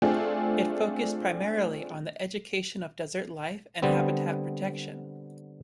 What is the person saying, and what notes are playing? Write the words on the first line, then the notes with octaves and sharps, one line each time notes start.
It focused primarily on the education of desert life and habitat protection.
A3 C4 D4 F4 G#4
D3 G3 B3 C4